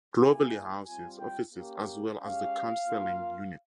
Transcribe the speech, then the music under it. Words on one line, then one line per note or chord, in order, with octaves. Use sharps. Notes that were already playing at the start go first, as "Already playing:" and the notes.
Cloverly houses offices as well as the counseling unit.
A#3 E4 G4 G#5
G3 C4 F4 G#5
G5
A#3 C#4 G4
G#3 C#4 G4 F5
A#3 F4